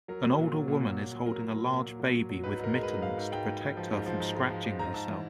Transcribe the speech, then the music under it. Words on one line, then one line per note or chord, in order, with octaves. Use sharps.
An older woman is holding a large baby with mittens to protect her from scratching herself.
F#3 A#4
F#3
A#2
F#3
A#2
F#3
A#2
A#2
F#3 A#4
F#3
F#3
A#2
A#2
F#3
F#3
F#3
G#2 B4
G#2 A#4
G#3
G#2 B4
G#2 F5
G#2
G#2 G5
G#2
G#2
F3
G#2
F3
G#2
G#3
F3
F3
G#2 A#5
G#2 A5
E3